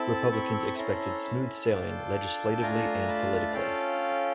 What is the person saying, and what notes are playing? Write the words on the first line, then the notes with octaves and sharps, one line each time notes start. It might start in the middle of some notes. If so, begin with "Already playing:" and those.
Republicans expected smooth sailing legislatively and politically.
Already playing: C4 E4 A4 A5 B5
B5 C#6
C#4 E4 A4 A#5 C6
A5 B5
D4 F4 A4 G5 A5
A3 D4 F4 G#5 A#5
A5 B5
C#4 F4 A4 F5 G5